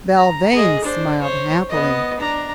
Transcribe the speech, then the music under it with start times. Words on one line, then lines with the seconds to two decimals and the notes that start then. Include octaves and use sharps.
Belvane smiled happily.
0.16 A#5
0.53 G#4 D#5
0.84 D4 C5
1.21 C5 C#5
1.69 B3 D#5
2.19 D4 A#5